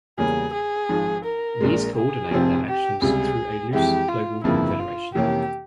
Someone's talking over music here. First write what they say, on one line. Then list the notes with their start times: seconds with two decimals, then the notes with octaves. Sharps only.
These co-ordinate their actions through a loose global confederation.
0.18 E2 C#3 G3 A#3 C#4 G#4
0.53 G#4
0.89 G#1 G#2 F3
1.25 A#4
1.60 A#1 A#2 G#3
1.96 G#4
2.31 F1 F2 C3 F3 C4
2.67 G4
3.02 C#2 C3 G3 G#4
3.73 F2 E3 G#3 E4 G4
4.08 F4
4.44 G1 F2 C#3 F3 A#3 E4
4.79 F4
5.15 F2 C3 E3 A#3 C#4 G4